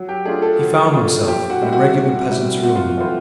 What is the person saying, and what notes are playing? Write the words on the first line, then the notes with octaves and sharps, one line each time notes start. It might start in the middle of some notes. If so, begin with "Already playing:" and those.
He found himself in a regular peasant's room.
Already playing: F#3
G4
A3 D4 F4 G#4
A4
F#3
A3 D4 F4
A#2 G4
F#4
G3 C4 E4
F#4
A#2
G3 C4 E4
C3 F#4
F4
E3 A3 C4 E4 F4